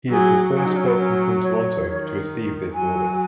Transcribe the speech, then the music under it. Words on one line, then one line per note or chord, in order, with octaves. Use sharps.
He is the first person from Toronto to receive this order.
F#3 G#4
F#3 G#4
D#4
C#4
B3
C#4
C#5
D#3
F#3 G#5